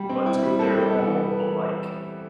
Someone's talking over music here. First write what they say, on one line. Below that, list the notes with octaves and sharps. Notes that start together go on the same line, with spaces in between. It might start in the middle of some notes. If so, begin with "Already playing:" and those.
But they’re all alike.
Already playing: G3
C4
E4
G3
A4
G3
B3
E3